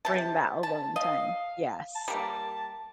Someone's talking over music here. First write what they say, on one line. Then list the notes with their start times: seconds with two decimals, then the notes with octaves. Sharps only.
bring that alone time. Yes.
0.05 C3 A5
0.63 A5
0.96 D#5 F5
1.96 A5
2.08 G3 A#3